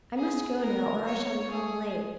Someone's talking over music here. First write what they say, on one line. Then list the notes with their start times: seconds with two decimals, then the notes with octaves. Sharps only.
I must go now or I shall be home late.
0.16 G#4
0.61 A#4
1.06 C#5
1.51 G#4